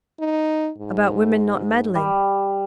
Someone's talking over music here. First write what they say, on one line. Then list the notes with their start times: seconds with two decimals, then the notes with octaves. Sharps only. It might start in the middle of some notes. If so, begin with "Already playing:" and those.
'About women not meddling.
0.20 D#4
0.78 G#2
1.95 G3